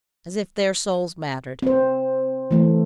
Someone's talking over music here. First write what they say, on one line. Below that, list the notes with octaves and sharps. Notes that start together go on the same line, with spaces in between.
As if their souls mattered.
C4 C5
E3 A3